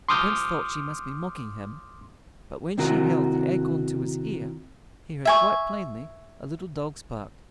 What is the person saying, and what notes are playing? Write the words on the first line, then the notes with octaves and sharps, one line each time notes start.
The Prince thought she must be mocking him, but when she held the acorn to his ear, he heard quite plainly a little dog's bark.
C6 D6 D#6 F6 G6
C3 D#3 C4 E4 F#4 A#4
E5 G#5 C#6